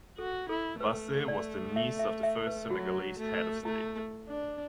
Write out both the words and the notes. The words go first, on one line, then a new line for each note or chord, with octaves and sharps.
Basse was the niece of the first Senegalese Head of State.
F#4 A4
E4 A4
A3 B4
D5
E5
E5
E5
B4
F#3 F#4
A3
A3 E4
D4